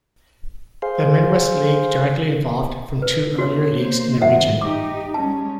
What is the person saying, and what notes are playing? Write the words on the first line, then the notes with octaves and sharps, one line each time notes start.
The Midwest League directly evolved from two earlier leagues in the region.
G#4 C5 F5
B4
E2 B2 F#4 C#5
A#3 C5
G2 D#3 F3 C5 E5 F#5
D#4 G4 D6
G3 G#3 C#4 A5